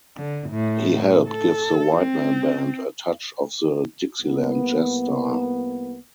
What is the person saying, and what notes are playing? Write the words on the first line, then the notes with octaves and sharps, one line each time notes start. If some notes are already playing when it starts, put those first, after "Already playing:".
He helped give the Whiteman band a touch of the Dixieland jazz style.
D3
A2
A4
C4
C2 A#3 B3